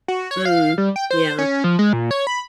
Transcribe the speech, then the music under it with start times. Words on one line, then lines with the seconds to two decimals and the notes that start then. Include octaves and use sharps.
Mm. Yeah.
0.08 F#4
0.31 C#5
0.45 F5
0.78 G3
0.96 G5
1.11 C5
1.38 C#4
1.64 F3
1.79 G#3
1.93 A#2
2.11 C#5
2.27 B5